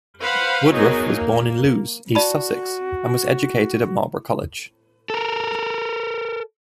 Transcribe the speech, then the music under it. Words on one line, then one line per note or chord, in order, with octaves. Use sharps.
Woodroffe was born in Lewes, East Sussex and was educated at Marlborough College.
B4 C5 F5 F#5 B5
F#3 B3 D#4 G#4 A#4
A#3
F#4 D5 A5 B5
A4 A#4